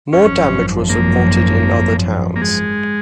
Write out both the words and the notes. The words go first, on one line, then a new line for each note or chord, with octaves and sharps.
More damage was reported in other towns.
G#1 F#2 F3 C#4
A#3
A#3
G#3